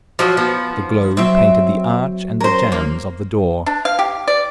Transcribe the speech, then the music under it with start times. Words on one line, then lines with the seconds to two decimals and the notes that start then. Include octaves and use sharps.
The glow painted the arch and the jambs of the door.
0.19 F3 F#3 F#4 F5
0.37 F3 B3
0.73 D#4
1.17 F#3 C4 E5
2.41 C#4 A#4 C5
2.72 A#3
3.66 D4
3.85 F5
3.99 G4
4.28 D5